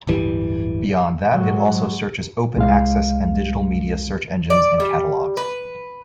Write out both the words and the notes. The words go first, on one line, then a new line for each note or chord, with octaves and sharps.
Beyond that it also searches open access and digital media search engines and catalogs.
D1 G1 E3 G3
G#2 F#3 G#3
C2 G#3 F5
D5
G3
B4